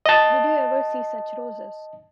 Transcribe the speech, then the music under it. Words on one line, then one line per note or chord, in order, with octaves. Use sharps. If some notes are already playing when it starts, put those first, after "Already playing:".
Did you ever see such roses?
D#5 A5